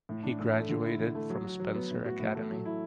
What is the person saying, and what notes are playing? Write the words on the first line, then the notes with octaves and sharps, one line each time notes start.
He graduated from Spencer Academy.
A2
D4
A2
A3
D3
E4
D3
A3
F#3
F#4
F#3
B3
A2
F#4
A2
A3
F#3
E4